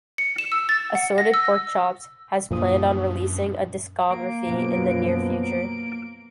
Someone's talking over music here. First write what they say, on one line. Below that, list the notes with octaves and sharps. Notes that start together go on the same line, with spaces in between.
Assorted Porkchops has planned on releasing a discography in the near future.
C#7
E7
E6
A6
F#5
A#6
E6
F#2 A#2 F3 D4 D#6
A#3 D7
F#2 B2 F3 B3
D7